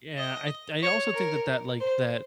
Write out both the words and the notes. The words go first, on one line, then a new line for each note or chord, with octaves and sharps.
Yeah, I th I also think that, like, that,
D#5
C#5
A#4
C5